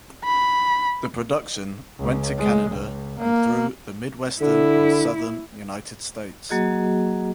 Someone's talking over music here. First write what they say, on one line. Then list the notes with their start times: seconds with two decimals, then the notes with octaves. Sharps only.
The production went to Canada and through the midwestern and southern United States.
0.24 B5
1.99 C#2
2.38 G#3
2.71 C#2
3.19 A#3
4.41 D3 E4
6.50 F#3 A#3 F#4 G#4 D#5